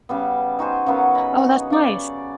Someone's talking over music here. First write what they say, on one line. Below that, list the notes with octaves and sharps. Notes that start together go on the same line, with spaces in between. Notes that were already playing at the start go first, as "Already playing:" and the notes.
Oh, that's nice.
C#3 G3 B3
D#4 F#4 G#4 C5
C#3 F#3 B3 A#4
D#5 B5
C#3 D5